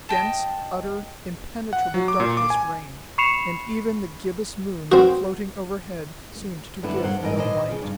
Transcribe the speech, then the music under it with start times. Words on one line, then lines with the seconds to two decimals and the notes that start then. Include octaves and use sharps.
Dense, utter, impenetrable darkness reigned, and even the gibbous moon, floating overhead, seemed to give no light.
0.09 D#5 G5 A5
1.73 F#5
1.94 F#3
2.08 D6
2.20 A#2
2.37 D6
2.50 G#5
3.18 B5 C#6 C7 C#7 E7 F7
4.92 C4 F#4
6.83 F#2 D3 B3 E4
7.02 G2 A#3 C5 F#5
7.23 G#2 E3 F3 A#4 C5 D#5
7.35 A#2 D3 E3 A#4 C5 D#5
7.69 C#3 F3
7.82 G2